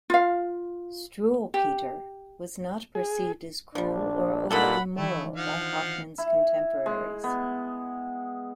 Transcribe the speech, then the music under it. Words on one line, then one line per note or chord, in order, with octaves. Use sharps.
"Struwwelpeter" was not perceived as cruel or overly moral by Hoffmann's contemporaries.
F4 F5
G4
G#4
A#1 F3 G3 D4
G2 A#2 D3 D#3 A4 F#5 B5
D#3 E3 A3 D4 E4
F3 F5 F#5
E4
G#3
B3